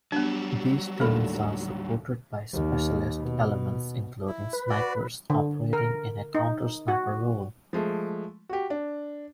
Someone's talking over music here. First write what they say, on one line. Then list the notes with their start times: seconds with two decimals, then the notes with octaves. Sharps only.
These teams are supported by specialist elements including snipers operating in a counter-sniper role.
0.12 F#3 G3 B3 D4
1.00 D#2 A2 D3 A#3 A4 B5
2.53 D#2
3.20 B2
4.28 E4
4.53 B4
4.69 F#4 D5
5.30 D3
5.73 A#4
6.35 D#4
6.88 F#4
7.73 F3 G#3 A3
8.49 F#4 G4
8.70 D4